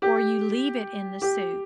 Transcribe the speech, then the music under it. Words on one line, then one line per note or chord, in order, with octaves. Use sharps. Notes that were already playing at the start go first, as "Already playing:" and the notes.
or you leave it in the soup
G4
G4